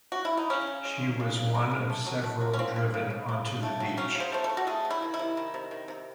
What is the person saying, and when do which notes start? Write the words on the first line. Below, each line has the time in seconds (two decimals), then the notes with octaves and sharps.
She was one of several driven onto the beach.
0.12 F#4
0.25 E4
0.37 D#4
0.50 C#3 C#4
0.67 C#3
0.85 G#3
1.02 G#3
1.20 C#3
1.37 C#3
1.55 G#3
1.71 G#3
1.90 A3
2.06 F#3
2.24 A3
2.41 F#3
2.54 C#4
2.59 C#3 C4
2.76 C#3
2.94 C#3
3.10 C#3
3.29 C#3
3.45 C#3
3.63 A3
3.80 F#3
3.97 F#3 C#4
4.15 C#3
4.20 C5
4.32 A3 C5
4.44 A4
4.49 A3
4.57 F#4
4.67 A3 G#4
4.85 C3
4.90 E4
5.02 D#3
5.14 E4
5.19 C3
5.37 D#3
5.54 C3
5.71 D#3
5.88 C3